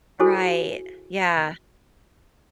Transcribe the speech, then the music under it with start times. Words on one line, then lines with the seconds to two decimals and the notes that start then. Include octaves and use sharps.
Right. Yeah.
0.20 E4 F#4 G#4 A4 C5 G#5